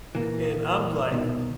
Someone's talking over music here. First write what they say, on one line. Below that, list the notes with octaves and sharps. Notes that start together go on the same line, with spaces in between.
and I'm like,
A#2 E3 A#3
C2 B2 D#3